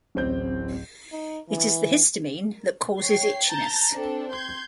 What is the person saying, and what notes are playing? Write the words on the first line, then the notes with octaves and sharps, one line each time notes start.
It is the histamine that causes itchiness.
D1 A1 C4 G6
D#4
E3
C#5 G5 C7
A5 A#5 G6 A6
C4 D4 A4
C6 G6 G#6